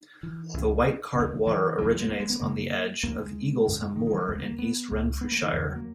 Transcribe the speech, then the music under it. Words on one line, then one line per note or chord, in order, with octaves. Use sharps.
The White Cart Water originates on the edge of Eaglesham moor in East Renfrewshire.
E3
C#2 C#3
D#2 C#3
E3
D#2 C#3 F#3
F#3
G#3
A#3
G#3
B3
F#2 C#3 A#3
D#2 C#3 A#3
G#3
F#2 C#3
D#3
D#3
G#3
F#3
D#2 C#3 G#3
B3
A#3
B3
C#2 C#3
B3
A#3
D#3
E2 C#3 E3
F#3
A#3